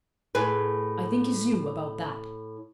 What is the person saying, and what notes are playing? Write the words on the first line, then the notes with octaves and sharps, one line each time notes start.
"I think as you about that."
A2 G#4 B4